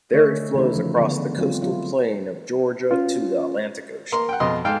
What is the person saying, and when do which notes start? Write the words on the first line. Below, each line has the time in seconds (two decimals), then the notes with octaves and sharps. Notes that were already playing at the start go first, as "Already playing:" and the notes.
There it flows across the coastal plain of Georgia to the Atlantic Ocean.
0.13 D3 A3 C#5 D#5 E5
0.55 C#3 E3 A3 D#4 E4
0.76 F3
1.01 D3 B3
1.38 F#3 G#3 C4 F4
1.62 F#3 E4 F4
2.91 C#4 F4
4.12 A#3 A#5 C6
4.29 F#5 G5
4.40 F2 B2 D#5 C6
4.65 G#2 A4 F5 G5